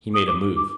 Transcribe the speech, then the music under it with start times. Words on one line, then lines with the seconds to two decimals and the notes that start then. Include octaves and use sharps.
He made a move.
0.14 D#6
0.27 D6
0.56 D6